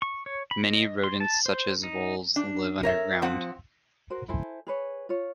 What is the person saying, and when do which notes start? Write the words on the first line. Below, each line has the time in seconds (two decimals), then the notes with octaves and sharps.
Many rodents such as voles live underground.
0.02 C#6
0.26 C#5
0.51 B5
0.66 D#5
1.04 C6
1.20 A5
1.46 C5
1.83 D#4
2.36 D4
2.83 A#4 C#5 E5
3.22 F3 C4 F#5
4.10 F#4 A#4 C5
4.28 E4 A4 C5 G#5
4.67 G#4 B4 C#5
5.09 F4 C#5